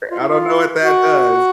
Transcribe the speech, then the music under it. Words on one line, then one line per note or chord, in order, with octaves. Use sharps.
I don't know what that does,
F4
E4
F4
F#4